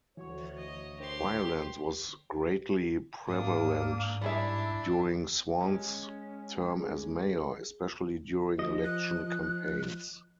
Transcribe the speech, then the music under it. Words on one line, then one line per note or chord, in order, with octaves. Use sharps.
Violence was greatly prevalent during Swann's term as mayor, especially during election campaigns.
D2 E3 F#4 C#5 C#6
D#5
D4 G4 A#4 C5 C6
G#2 A#3 D4 D#6
G3 D4 E4 G#4 E5
G#3 C#4
G#4
F3 D#5
F#6